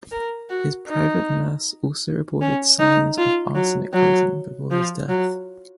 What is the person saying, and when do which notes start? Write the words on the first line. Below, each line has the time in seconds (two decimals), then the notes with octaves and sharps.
His private nurse also reported signs of arsenic poisoning before his death.
0.11 A#4
0.50 F#4
0.88 D#4
2.41 C#4
2.79 D#4
3.18 F4
3.55 F#3
3.93 F#3
4.71 F3
5.09 F#3